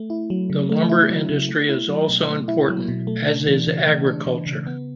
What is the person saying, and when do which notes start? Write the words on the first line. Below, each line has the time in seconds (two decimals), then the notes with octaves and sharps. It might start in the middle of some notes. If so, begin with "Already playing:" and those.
The lumber industry is also important, as is agriculture.
Already playing: A3
0.10 E4
0.30 F#3
0.50 C#3
0.69 A3
0.89 E4
1.10 F#3
1.29 C#3
1.49 A3
1.69 E4
1.89 F#3
2.09 B2
2.29 A3
2.48 E4
2.69 F#3
2.88 B2
3.07 A3
3.27 D4
3.47 E3
3.67 C#3
3.87 A3
4.07 D4
4.27 E3
4.46 C#3
4.67 B3